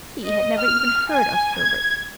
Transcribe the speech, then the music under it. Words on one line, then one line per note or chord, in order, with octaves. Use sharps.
He had never even heard of Herbert.
D#5
F6
G#5
G#6